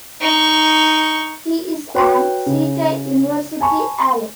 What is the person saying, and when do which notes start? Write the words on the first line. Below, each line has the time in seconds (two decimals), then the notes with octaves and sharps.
He is an Seattle University Alum.
0.21 D#4 C#6
1.94 F#4 B4 C#5 G5
2.46 C#3
3.60 G#5 A5 B5 C#6